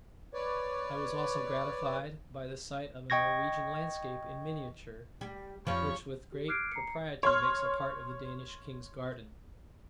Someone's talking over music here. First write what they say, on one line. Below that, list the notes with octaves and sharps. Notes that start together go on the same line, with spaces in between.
I was also gratified by the sight of a Norwegian landscape in miniature, which with great propriety makes a part of the Danish King's garden.
B4 C#5 D5
D#5 G5 C#6 G#6 A#6
G3
F2 F3 G3 C#5 B5
G4
D6 F6 F#6 G#6 C7 D7
A#5 C7 C#7
C#5 C6 F6